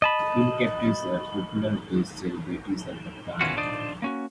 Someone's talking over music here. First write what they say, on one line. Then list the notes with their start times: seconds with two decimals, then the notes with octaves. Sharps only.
Team captains were popular based celebrities of the time.
0.02 D#5 A5 B5
3.41 B2 D#3 E3 C#4 F4 F#4
3.57 D4 D#4 F4 C5 D5 D#5
4.02 A#3 C#4 F#4